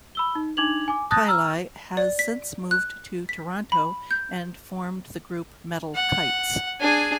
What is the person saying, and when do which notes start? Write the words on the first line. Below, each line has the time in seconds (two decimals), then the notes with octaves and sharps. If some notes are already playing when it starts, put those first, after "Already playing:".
Tielli has since moved to Toronto and formed the group Metal Kites.
0.15 B5 E6 G7
0.35 D#4
0.57 D4 D#4 D6 G#6 F7 F#7
0.88 G#5 D6
1.11 A5 D#6 F#6 G6 A6 A#6
1.27 A#5 E6 F6
1.97 D5
2.19 B6
2.71 F#6
3.29 B6
3.72 B5
4.11 G6
5.95 F#5
6.81 D4 G#4 G#5